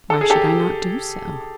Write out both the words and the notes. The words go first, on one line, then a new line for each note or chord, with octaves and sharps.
"Why should I not do so?"
A4
G#4
G4 A4